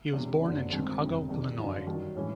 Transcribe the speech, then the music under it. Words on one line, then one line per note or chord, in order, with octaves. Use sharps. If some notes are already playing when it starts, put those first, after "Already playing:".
He was born in Chicago, Illinois.
E1 E2 C3
F#1 F#2 D3
G#1 G#2 D#3 G#3 C4
G1 F2 C3
E2 C3 D#3 G3
F#2 D3 F3
G2 D#3 F#3
A2 E3 G#3 C#4